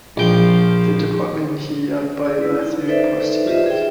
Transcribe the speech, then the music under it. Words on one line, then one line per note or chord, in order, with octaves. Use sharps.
The department headed up by Matthew Postgate.
A#1 F3 G5
G#4 D5 E6
E4 B4
D#4
D#4 A4 B4 C5 D5 E5
F4 G4 B4 C5 D#5 E5
G#4 E5 G5